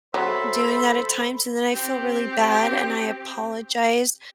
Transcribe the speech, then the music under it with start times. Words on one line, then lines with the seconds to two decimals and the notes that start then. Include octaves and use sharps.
doing that at times, and then I feel really bad, and I apologize.
0.14 F#3 A4 C5 E5 B5
1.72 C4 G4